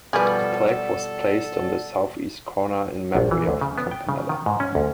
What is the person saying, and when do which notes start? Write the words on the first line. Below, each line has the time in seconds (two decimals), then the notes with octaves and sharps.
A plaque was placed on the southeast corner in memory of Campanella.
0.13 B2 F3 G3 G#4 A4 B4 D5 F#5
3.15 A#1
3.31 E3
3.47 D2
3.61 C#3
3.78 B3
3.91 G5
4.09 C#3
4.29 D#3
4.46 G#2
4.60 C#4
4.75 D2